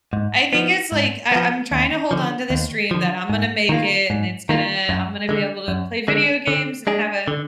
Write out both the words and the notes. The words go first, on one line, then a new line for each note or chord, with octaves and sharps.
I think it's like, I I'm trying to hold on to this dream that I'm gonna make it and it's gonna I'm gonna be able to play video games and have a
G#2
F3 B3
G#2
F3 B3
D#2
D3 F3
D#2
D3 F3
G#2
D#3 A#3 F4
G#2
D#3 A#3 F4
F#2
D3 G#3
F#2
D3 G#3
D3
G#3 D4 G#4
D3